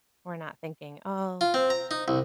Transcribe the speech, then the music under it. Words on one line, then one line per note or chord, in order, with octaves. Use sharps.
we're not thinking, "Oh,
F4
C4
A#5
D#4
C2